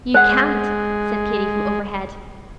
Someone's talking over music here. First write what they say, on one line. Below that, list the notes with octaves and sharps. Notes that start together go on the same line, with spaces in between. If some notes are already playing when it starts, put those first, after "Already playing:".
"You can't," said Katy from overhead.
G#3 C5 F#5